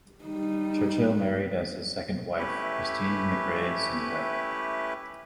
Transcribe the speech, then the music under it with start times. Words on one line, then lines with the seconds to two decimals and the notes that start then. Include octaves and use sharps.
Churchill married as his second wife Christine McRae Sinclair.
0.25 G3 D#4
2.39 A3 C#4 E4 G4 B4